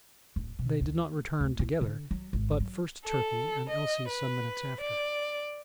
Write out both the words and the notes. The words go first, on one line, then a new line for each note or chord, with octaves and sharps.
They did not return together, but first Turkey, and Elsie some minutes after.
D1
B2
D2
D2
E4
D3
F#3
G#1
F#3
A4
D#5
B4
D5